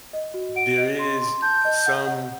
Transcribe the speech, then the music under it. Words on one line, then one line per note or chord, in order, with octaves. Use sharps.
there is, uh, some
D#5
F#4
F#5 D7
D#5
C6
C6
A5 G6
D#5
F#5
F#5